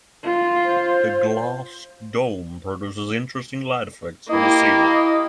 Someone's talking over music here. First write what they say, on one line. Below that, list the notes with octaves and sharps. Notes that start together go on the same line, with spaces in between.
The glass dome produces interesting light effects on the ceiling.
F4
C5
A#3 E4 G4 D#5